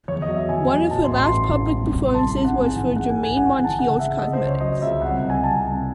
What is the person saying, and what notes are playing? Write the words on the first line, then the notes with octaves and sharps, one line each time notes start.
One of her last public performances was for Germaine Monteil's cosmetics.
E2 C#5
D#5
F#3
E5
E2 G#5
F#3
A2 A5
C6
A1
C6
A1
A2
C2
C2
C6
C2 A5
C3
F#5
G#2 G#5
E3 F#5
G#3 F#5
G#5
G#1
G#5
G#3 F#5
G#5
E3
A5
C#3 F#5
G#3 E5
C#3 D#5
C5
C#2
C#5
F#3 D#5
C#2 E5
C2 F#5
C2
G#5
C2 A5
C2